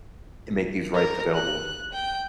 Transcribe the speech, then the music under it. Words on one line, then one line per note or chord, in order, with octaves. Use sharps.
and make these rights available."
A#4
F#6
G5